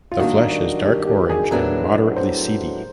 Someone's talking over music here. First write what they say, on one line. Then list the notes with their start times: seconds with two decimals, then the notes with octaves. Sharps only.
The flesh is dark orange and moderately seedy.
0.12 F4
0.20 D#3 G3 A#3 D4 F#4
0.86 G4
1.07 G4
1.30 G#4
1.51 A2 F#3 B3 D4 A#4
2.16 C5